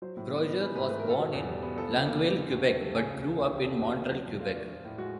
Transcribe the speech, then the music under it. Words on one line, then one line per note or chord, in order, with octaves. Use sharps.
Brodeur was born in Longueuil, Quebec, but grew up in Montreal, Quebec.
F#3 C5
A2
B3
D#4
E3 B4
G#2 B4
A3 B4
A#4
G#2 A4
B2
E2
G3
B3
F3 A4
C#3
A#3
D4
D3
D#2
F#3
A3
C#3 G#4
C#2
F3
C#2
C#3 G4
A4
E2
G4
F3 F#4
E2
F#3
A#2
A3 F4
D4
F3
A2
G#3 F#4